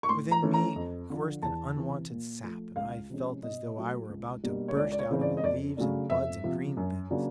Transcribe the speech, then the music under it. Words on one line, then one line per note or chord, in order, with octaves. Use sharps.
Within me coursed an unwonted sap, and I felt as though I were about to burst out into leaves and buds and green things.
C#6
A2 C6
A#5
E3 A3 C#4
A#5
F2
D3 F3
E2 A5
C3 E3
A#2
F3 A3
C#2 F5
C3 F3 G#3 C#4
B2 D#5
F#3 A3
C#2
B2 G3 A#3 D4
C#5
C#2 D5
D5
C#5
C#3 E3 G#3 C4
D5
D#5
F2 D5
C#3 F#3 A3 D4
F2 E5
C3 F3
F#2
C#3 F#3 A#3 D4